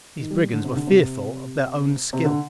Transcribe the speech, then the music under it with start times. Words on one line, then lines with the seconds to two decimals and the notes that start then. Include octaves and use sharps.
These brigands were fearful of their own skill.
0.19 D#3
0.30 G3
0.53 D3
0.64 C3
0.76 D3
0.87 C3
2.13 C3
2.24 D3